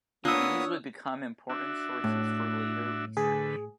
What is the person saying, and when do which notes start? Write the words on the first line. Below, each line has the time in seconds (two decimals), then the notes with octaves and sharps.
These would become important sources for later research.
0.25 A#3 B3 D4 F4 C#5 D#6 E6
1.50 D4 F#4 E5
2.04 A2
3.17 D3 A3 G#4 B4